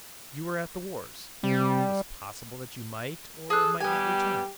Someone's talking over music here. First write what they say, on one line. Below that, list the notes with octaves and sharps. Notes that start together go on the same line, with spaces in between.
You were at the wars; it was possible that you might, or might not return.
C3 G3
G#4 A4 F#6
G3 B3 G4 G#5